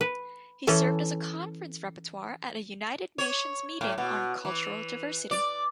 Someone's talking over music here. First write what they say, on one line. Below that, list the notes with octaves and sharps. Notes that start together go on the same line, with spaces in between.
He served as a conference rapporteur at a United Nations meeting on cultural diversity.
B4
E3 C#4 A4
C#5
A2
B2
E3
D5